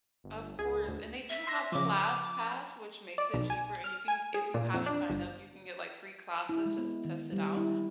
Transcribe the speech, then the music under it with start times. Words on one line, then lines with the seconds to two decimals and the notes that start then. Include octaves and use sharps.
Of course, and they do have ClassPass, which makes it cheaper, and you can, if you haven't signed up, you can get, like, free classes just to test it out,
0.24 G1
0.59 C#2 G#4
0.88 D2
1.29 E5
1.47 C6 E6 A#6
1.72 C#3 F3 D6
3.18 D5
3.34 B1
3.50 G#5
3.84 F6
4.08 G#5
4.34 G#4
4.54 A#2
4.74 F2
4.86 D4
5.09 G1
6.49 E4
6.66 G#3
6.78 B3
7.05 D#3
7.32 G3
7.57 E4